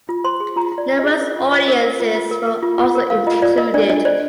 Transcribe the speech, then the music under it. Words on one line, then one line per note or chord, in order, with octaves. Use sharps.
Numerous audiences were also included.
F4
C5 C6
G#4
F4 A#5
F4
D5
C5
D#5
G#4
D#5
A#4 D5
F4
F4 D#5
A#4
A#4
F4
F4
A#4
A#4
F4
F4
A#4
A#4 F5
F4 D#5
F4 D5
A#4 D#5
D4 D5
D4 D#5
C5 D5